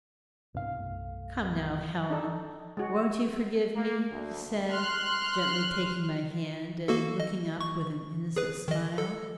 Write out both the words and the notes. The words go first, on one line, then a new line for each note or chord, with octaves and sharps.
Come now, Helen; won't you forgive me?' he said, gently taking my hand, and looking up with an innocent smile.
C2 G#2 B3 D4 F5
B1 F#2 A3
D4 D#4 A4
G#3 F#4
A#3
D2
C6 F6 F#6
A#3 F#4 A4
D#5
C#6
G#4 B4
D#3 D#5
A4